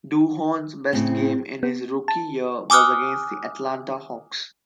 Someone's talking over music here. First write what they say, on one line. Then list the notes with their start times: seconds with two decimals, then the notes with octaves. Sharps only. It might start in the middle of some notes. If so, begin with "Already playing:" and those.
Duhon's best game in his rookie year was against the Atlanta Hawks.
0.93 A2 C#3 C4
1.63 B3
2.08 A5
2.70 G#5 D6 D#6 F6 F#6